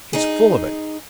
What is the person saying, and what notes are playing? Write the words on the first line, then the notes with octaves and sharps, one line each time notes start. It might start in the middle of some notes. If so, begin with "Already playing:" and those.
She's full of it.
D#4 G#4